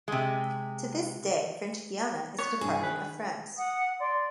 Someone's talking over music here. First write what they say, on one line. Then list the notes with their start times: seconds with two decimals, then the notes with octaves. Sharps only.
To this day, French Guiana is a department of France.
0.08 C3 G#3
2.38 B3 C#5
2.61 C2 G2 D4 G#4
2.82 D#3 B4
3.58 F#5 D#6
3.99 D5 C6